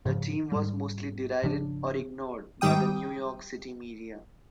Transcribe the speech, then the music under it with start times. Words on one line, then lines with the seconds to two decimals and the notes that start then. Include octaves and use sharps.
The team was mostly derided or ignored by the New York City media.
0.05 G#2 C#3 F3
0.52 G#2 G3
1.42 G#1 C#3 F3 D4
2.61 G#2 D#3 G3 G5 D#6